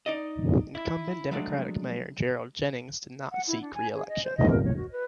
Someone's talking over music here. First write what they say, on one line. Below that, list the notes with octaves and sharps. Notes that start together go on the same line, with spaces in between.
Incumbent Democratic mayor Gerald Jennings did not seek reelection.
D#4 D5 D#5
E4
F3 F#3 G#3 A3 D4
F#5
E4
D4
G#5
G#4
D#5
C5
D#5
A#4
C#5
F#4
B4